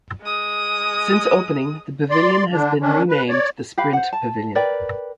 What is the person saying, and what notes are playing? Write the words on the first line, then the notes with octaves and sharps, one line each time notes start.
Since opening the Pavilion has been renamed the Sprint Pavilion.
G#3 D#6
D5 C6
D3 D4
D#3 C#4 D4
B4
C#5 D5
G4 B4 F5 B5
C5 F#5
A5
A#4 B4 D5 G5